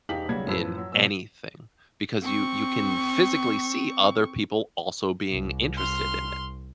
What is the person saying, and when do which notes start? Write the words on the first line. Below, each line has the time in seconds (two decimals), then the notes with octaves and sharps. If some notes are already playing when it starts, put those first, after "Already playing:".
in anything because you you can physically see other people also being interested in it.
0.09 E1 D#4 G4 F5 B6 F#7
0.29 B1 C#3 F#3 G3 A#3 G#6
0.47 F#2 A2 F3 B4 E6 G#6
0.78 F#3
0.92 B2 F#3 E6
2.22 C4 C#6
5.31 C2
5.77 C6 F6